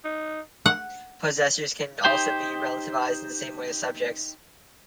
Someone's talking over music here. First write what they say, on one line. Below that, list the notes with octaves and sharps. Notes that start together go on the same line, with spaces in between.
Possessors can also be relativised in the same way as subjects.
D#4
F#5
D#4 G4 C5 G5